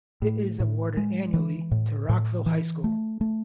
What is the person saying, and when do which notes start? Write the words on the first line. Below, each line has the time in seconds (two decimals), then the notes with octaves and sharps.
It is awarded annually to Rockville High School.
0.22 A2
0.60 A2
0.97 G#3
1.34 E3
1.71 A2
2.09 A2
2.46 E3
2.84 A3
3.21 A3